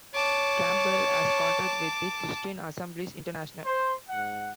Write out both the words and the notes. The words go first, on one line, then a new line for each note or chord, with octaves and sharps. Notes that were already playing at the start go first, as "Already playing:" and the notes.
Campbell has contact with the Christian Assemblies International.
C#5 A5 D6
C5
G#2 F#5